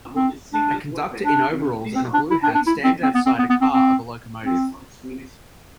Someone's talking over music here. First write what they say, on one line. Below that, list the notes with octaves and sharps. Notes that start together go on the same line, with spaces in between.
A conductor in overalls and a blue hat stands outside a car of a locomotive.
C4
D4
D4
C4
D4
E4
D4
D4
E4
C4
C4
B3
C4
B3
B3
C4
C4
C4